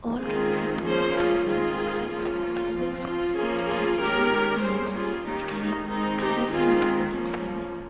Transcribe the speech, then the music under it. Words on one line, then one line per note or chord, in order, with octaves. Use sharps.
All carry sympathetic fibers except for the pelvic splanchnic nerves, which carry parasympathetic fibers.
D#3 G#3 C4 F4 G#4
F3 A#3 C#4 G#4 C5
F4 G#4
D#3 G#3 C4 F4 G#4
F3 A#3 C#4 F4
F3 C4
F4
F3 A#3 C#4 F4 G#4
F4 G#4
D#3 G#3 C#4 G4 A#4
G3 A#3 C#4 G#4 C5
F4 G#4
D#3 A#3 C#4 D#4 G4
D#4
D#3 G#3 C4 D#4
D#4 G4
D#3 G#3 C4 F4 G#4
F3 A#3 C#4